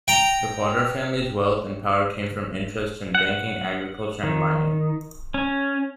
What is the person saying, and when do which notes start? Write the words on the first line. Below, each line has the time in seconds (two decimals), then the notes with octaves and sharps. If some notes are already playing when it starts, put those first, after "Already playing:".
The Cuadra family's wealth and power came from interests in banking, agriculture, and mining.
0.08 G5 A#5
3.15 F#5
4.23 D#3
5.34 C#4